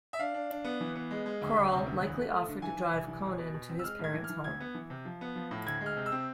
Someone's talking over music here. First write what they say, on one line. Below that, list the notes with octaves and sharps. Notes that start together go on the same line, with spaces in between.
Corll likely offered to drive Konen to his parents' home.
E5
D4 F5
D4
D4
B3
E3
B3
G#3
G#3
D2
D2
C3
D2
E2
A3
A3
D3
E3 G#5
E3
C2
E3
B2
B2
B2
C4
E6
G#3 F6
A2 G#6
E3
F6
E3
D2 G#6
B3
E3
C3
F3
B3
F3
A2
D2 G#6
G#3
F6
C3
E6
C4